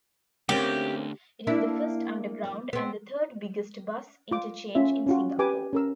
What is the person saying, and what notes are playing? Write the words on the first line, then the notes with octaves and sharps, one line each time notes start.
It is the first underground and the third biggest bus interchange in Singapore.
D2 A#3 C4 C#4 G4
A#3 D4 E4
B3 C4
F4 D6
C#4 F4 E5
C#4 F4 F#4
G4 B4 G#5 D6
C#4 A#4 E6